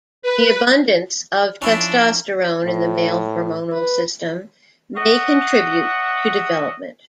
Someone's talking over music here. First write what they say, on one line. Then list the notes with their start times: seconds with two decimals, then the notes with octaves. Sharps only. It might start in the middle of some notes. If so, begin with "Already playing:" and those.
The abundance of testosterone in the male hormonal system may contribute to development.
0.22 B4
1.62 F3 C#4 D4 E4
2.65 A2
3.72 B4
4.96 C#5 D#5 E5 F#5